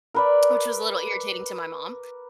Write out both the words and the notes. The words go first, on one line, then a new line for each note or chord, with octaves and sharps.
which was a little irritating to my mom,
A#4 B4 D5